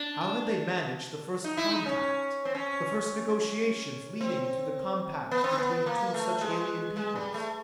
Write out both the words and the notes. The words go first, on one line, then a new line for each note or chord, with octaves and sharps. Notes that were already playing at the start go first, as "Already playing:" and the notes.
How had they managed the first contact, the first negotiations leading to the compact between two such alien peoples?
Already playing: D4
D#4
E4
D#4
C#4
C4
C#4
C4
B3
C4
B3
A#3
A3
G#3
G#3
G3
A3